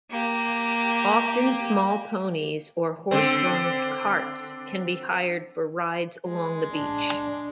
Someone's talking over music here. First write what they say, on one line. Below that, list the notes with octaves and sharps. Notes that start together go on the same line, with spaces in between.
Often small ponies or horse-drawn carts can be hired for rides along the beach.
A#3 G4
D3 C4
G#3
D4